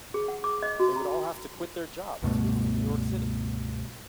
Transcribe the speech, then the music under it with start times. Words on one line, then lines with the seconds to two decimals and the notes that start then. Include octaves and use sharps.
They would all have to quit their jobs and move to New York City.
0.14 G#4
0.28 F#5
0.44 D6
0.62 D#5
0.80 F#4
0.96 A#5
2.22 C#2 G2 B2 A3